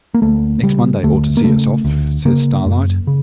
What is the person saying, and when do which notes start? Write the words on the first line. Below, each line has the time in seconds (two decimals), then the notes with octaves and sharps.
'Next Monday ought to see us off,' says Starlight.
0.14 A#3
0.22 D2 A3
0.63 C#3 G3
1.03 D2 A3
1.37 A#3
1.44 C#3 A3
1.85 D2
2.25 C#3 A#3
2.66 F#2
3.07 C#3